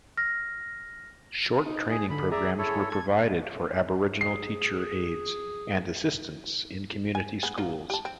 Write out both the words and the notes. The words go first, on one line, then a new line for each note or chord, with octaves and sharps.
Short training programs were provided for Aboriginal teacher aides and assistants in community schools.
F6 A#6
D#4
G#4
D3 B5
G#4 D5 E5 A#5
E4 A4 C#5
A4 G#6
G#4 C7
G#5
B3 G#4
F#3 A#3 F4
G4 A5
C4